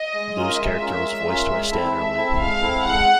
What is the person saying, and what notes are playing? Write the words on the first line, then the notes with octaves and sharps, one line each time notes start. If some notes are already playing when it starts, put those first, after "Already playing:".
Lou's character was voiced by Stan Irwin.
Already playing: D#5
G#3
C#4 F4 A#4
G#3 E5
C#4 F4 A#4
G#3
C#4 F4 A#4
G#3
C4 E4 A4
G#3 E5
C4 E4 A4
G#3 F5
C4 E4 A4
G#3 F#5